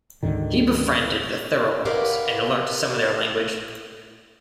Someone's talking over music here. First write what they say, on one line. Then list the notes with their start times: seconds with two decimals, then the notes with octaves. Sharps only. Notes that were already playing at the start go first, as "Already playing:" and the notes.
He befriended the Tharawals and learnt some of their language.
0.23 D2 G#2 D3 D#3
1.85 G4 A#4 B4 D5 F5 F#5